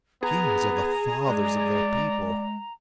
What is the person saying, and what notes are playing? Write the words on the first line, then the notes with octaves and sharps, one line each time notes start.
Kings are the fathers of their people.
B3 G#4 A#5
G#3 D5